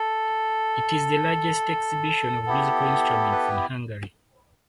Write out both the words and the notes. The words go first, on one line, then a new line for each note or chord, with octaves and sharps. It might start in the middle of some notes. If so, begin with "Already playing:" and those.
It is the largest exhibition of musical instruments in Hungary.
Already playing: A4
B3 E4 G4
B4